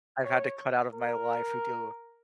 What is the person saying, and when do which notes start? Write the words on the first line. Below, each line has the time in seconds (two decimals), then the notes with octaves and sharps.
I had to cut out of my life who do
0.25 C#5
0.94 A#4